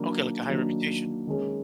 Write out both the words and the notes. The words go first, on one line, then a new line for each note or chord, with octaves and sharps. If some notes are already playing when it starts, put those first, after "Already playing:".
Okay, like, a high reputation?
Already playing: D#3 F#3 A#3 D4
D#3 F#3 A#3 D4
D#3 G#3 C#4